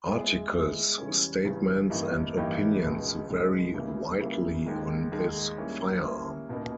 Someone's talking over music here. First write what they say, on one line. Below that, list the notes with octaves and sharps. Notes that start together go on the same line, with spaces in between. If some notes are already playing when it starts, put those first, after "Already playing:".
Articles, statements, and opinions vary widely on this firearm.
G#3 B3 E4 G#4
G#3 B3 E4 G#4
E2 C#3 G3 C#4
E2 C#3 G3 C#4
G2 E3 A#3 D#4 G4
G2 E3 A#3 D#4 G4
C#2 B2 G#3 B3 D#4
C#2 B2 G#3 B3 D#4
C#2 C#3 G3 A#3 E4
C#2 C#3 G3 A#3 E4
D#2 D#3 G#3
D#2 D#3 G#3
G3 A#3 C#4 E4
G3 A#3 C#4 E4
C#2 B2 A#3 D#4